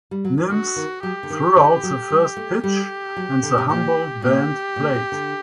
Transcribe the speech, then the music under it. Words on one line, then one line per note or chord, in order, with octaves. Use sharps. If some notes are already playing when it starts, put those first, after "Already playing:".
Nims threw out the first pitch and the Humboldt band played.
G3
F#3
D#3
D3 F#4
D#3
F#3 G4
D3
D#3
D3
F#3
G3
A3
G3 G4
F#3
D3
C3
A#2 G4
A#2 G4
A#2
C3
D3